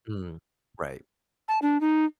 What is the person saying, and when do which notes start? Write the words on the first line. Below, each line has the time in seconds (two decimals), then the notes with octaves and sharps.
Mm, right.
1.48 A5
1.62 D4
1.81 D#4